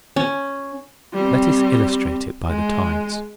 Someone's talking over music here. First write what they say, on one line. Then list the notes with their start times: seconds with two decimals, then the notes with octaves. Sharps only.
Let us illustrate it by the tides.
0.16 C#4
1.14 G3 C4
2.47 G#3